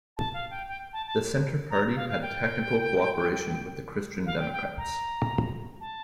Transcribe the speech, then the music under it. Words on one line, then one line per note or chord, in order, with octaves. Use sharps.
The Centre Party had a technical cooperation with the Christian Democrats.
A5
F5
G5
G5
A5
A5
A#5
F5
F5
G5
F5
G5
G5
A#5
A5